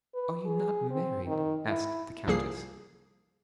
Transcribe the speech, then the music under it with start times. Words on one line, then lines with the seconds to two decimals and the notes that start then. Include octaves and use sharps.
"Are you not married?" asked the countess.
0.14 B4
0.46 G#4
0.90 C4
1.27 D#3
1.67 E4
2.27 C2 F3 A#3 G#4 C7